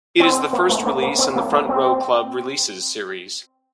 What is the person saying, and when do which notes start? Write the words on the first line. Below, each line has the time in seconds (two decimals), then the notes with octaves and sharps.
It is the first release in the Front Row Club Releases series.
0.20 C4
0.53 A#3
0.69 A3
0.86 A#3
1.02 A#3
1.19 C4
1.36 A#3
1.52 A#3
1.69 C4